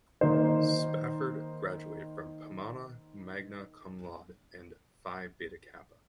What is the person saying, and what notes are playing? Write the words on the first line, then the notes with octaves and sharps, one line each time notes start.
Spafford graduated from Pomona magna cum laude and Phi Beta Kappa.
D#3 A#3 D#4 C5